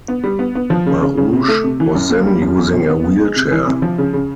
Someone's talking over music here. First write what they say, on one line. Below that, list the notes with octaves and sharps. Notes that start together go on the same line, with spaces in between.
Maruge was then using a wheelchair.
B3
G3
B3
B3
F3
C#3
C#3
C#3
C3
A3
C3
E3
F#2
A#3
G3
F#2
E2
B2
B3
B3
G#3
C3
E3
C3
F3
C#3
C#3